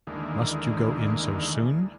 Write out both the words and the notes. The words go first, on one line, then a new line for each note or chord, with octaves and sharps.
Must you go in so soon?
D#2 D3 E3 G#3 A#3